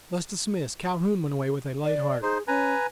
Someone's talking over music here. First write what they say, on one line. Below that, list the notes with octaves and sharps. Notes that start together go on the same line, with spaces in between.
Thus dismissed Calhoun went away with a light heart.
D5
D#4 G#4 C5
C#4 B4 G#5 A#5